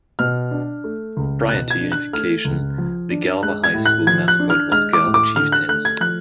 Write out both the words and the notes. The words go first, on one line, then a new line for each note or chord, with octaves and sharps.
Prior to unification, the Galva High School mascot was Galva Chieftains.
B2 F6
D4
A3
C#2
B2 F#6
G#6
D4
F#6
A3 F6
C#2
F3
D4
G#3 F#6
G#6
A2
F#6
F3 G#6
F#6
D4
F6
G#3 F6
D6
A2
D6
D3 F6
F#6
A3 F#6
G#6
F3 F#6